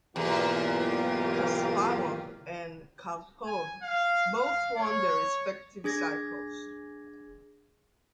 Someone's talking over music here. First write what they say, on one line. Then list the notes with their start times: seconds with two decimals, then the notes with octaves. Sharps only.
Kasparov and Karpov both won their respective cycles.
0.16 B1 E2 G#2 E3 A#3 F4 G4
3.46 G#5
3.82 F5
4.35 F5
4.77 C#5
5.84 D4 G#4 G#6 A#6